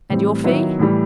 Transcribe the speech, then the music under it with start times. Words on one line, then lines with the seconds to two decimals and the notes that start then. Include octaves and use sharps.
"And your fee?"
0.10 A2 E3 G3 C4
0.44 D#3 F#3 B3 E4
0.79 A2 E3 G3